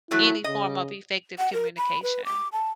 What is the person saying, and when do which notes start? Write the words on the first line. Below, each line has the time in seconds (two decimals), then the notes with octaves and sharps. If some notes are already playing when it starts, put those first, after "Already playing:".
any form of effective communication.
0.11 E3 F#3 A3 E4
0.44 C#3 D#5
1.38 F#5
1.53 A#4
1.77 B5
2.03 B4
2.25 D6
2.53 A5